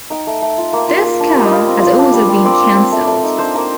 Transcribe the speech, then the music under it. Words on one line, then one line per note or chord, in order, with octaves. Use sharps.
This car has also been cancelled.
D#4 G5
A3
A3
F4
A#3
F4
A#3
D4
G3
D#5
F4 F5
C4
F4
D4
G3
G3
C4 D5
C4
C4
A3
A3
D#4
D4 C5
A#3 A#4